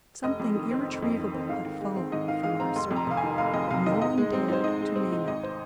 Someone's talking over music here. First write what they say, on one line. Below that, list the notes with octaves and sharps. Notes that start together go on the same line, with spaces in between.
Something irretrievable had fallen from our circle. But no one dared to name it.
F1 D#5
F2
D#3
C4
F1
F2
D#3
C4
G#2 F5
D#3
G#3
C4
G#2 D#5
D#3 F5
G#3 F5
C4 A#5
F1 C6
F2
A#5
C3 F5
G#5
D#3
F1 F5
F2 D#5
C3 F5
D#3 D#5
G#2 D#5
G#3
C4
D#4 C5
G#2 D#5
G#3
C4
D#4
G#1 D#5
C5